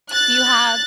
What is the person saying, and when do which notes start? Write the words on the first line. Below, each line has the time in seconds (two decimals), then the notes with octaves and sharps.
Do you have
0.10 F#6 A6